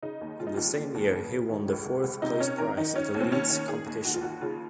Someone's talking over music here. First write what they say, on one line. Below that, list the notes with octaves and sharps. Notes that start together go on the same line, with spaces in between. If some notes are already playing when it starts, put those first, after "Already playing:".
In the same year, he won the fourth place prize at the Leeds Competition.
C#3 D#4
D#2
C#3 F4
D#4
D#2 F4
D#2
D#2
C#3
C#3
D#3
C#2
C#2
C#2
C3 D#4
C3 C#4
D#3 A#4
D#3 D#4
D#3 C#4
D#2
C4
D#3 C#4
D#3
D#3 G#4
D#2
D#3 F#4
F4
D#2 F#4
C#3 F4